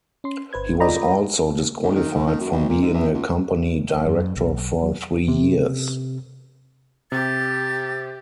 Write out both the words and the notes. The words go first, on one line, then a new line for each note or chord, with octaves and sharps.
He was also disqualified from being a company director for three years.
C#4 C6
G1 B4 C5 G#6
F4 D5 D#5 G5 A#5 B5
B1
D#3
G#2
D#3
F#2
B1
A#2
G#2
E2
C#2
F#2
B1
F#3
C3
C3 G4 A6